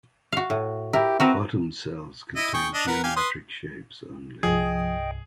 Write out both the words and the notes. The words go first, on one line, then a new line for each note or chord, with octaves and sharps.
Bottom cells contain geometric shapes only.
F#4 F5
A2
E4 G4 A#4
C4 F#4 A#4 B4
E4 D#5
G#4 G5 C#6
D4 D#5
A#4 B4 F#5
G4 F5 G#5
B4 C6 D#6
C2 G2 F3 G#4 D#5 G5